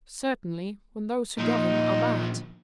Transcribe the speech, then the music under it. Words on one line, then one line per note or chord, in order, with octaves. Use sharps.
"Certainly, when those who govern are bad."
A#2 F3 D#4